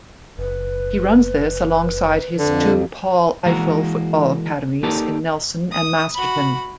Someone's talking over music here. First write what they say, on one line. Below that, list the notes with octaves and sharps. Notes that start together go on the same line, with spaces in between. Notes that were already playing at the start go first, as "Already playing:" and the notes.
He runs this alongside his two Paul Ifill Football Academies in Nelson and Masterton.
F#1 B4
F2 D3
E3 G#3 A#3 F#4 A#4
A#3 D#4 G4 A4 A#4 D5
D#6
F#4 B5